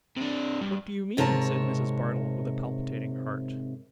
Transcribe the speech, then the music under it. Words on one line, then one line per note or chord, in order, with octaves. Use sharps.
'What do you mean?' said Mrs. Bardell, with a palpitating heart.
C3 D4
G2
G#2 C3 A#4 C#5 A5